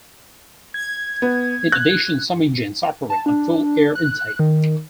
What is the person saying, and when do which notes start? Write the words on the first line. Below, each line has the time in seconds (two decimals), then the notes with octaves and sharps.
In addition some engines operate on full air intake.
0.74 G#6
1.22 B3
1.72 F#6
3.10 A5
3.26 D4
3.95 F#6
4.39 D#3